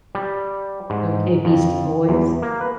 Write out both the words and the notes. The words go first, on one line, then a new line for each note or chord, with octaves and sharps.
Okay, Beastie Boys.
G3
G#2
F2
E2
A#3
B4